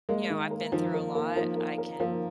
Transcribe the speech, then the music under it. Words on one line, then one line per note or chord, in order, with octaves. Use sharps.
You know, I've been through a lot. I can
G#3 A#3
D#3
A#4
D#3 F3
A#4
A#3
F3 A#3
A#3
A#4
F3 A#3